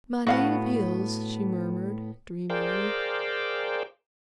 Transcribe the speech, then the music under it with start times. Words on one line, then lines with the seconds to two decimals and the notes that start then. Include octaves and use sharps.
"My native hills!" she murmured, dreamily.
0.27 A2 B3 F#4 F5 F#5
2.50 G#4 A#4 C5 D5 F5 G5